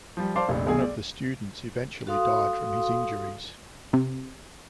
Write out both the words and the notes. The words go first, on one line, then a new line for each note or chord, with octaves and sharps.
One of the students eventually died from his injuries.
F3 G3
C5 D5 F5 A5 C6 D6
F1 A#1
B1 B2 G#4 G#5
D5
F#4 A4 F5 C6 D#6
C3